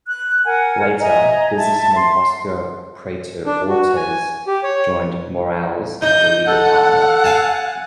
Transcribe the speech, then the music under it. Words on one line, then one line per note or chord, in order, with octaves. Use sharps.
Later, businessman Oscar Prieto Ortiz joined Morales as a legal partner.
F#6
A#4 F#5 G#5
D#5 E5 G#5 A#5
E5 A5
C6
D4
F#4
G#5
G4
C#5
D#4 G6
A4 F#5
F5 G#5 A5